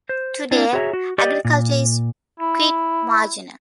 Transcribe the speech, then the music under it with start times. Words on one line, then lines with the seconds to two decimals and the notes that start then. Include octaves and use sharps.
Today, agriculture is quite marginal.
0.09 C5
0.51 C4 D4 E4
0.73 F#4 G#4 C#5 E5 A#5
0.93 F#4
1.18 G4 D5 D#5
1.45 A#2
2.40 E4